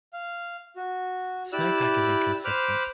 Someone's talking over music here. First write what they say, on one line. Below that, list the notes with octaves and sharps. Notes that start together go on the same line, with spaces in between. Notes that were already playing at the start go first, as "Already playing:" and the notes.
Snowpack is inconsistent.
F5
F#4
E4 G4 D5 E6 F#6
C5 B5 D6 F6 F#6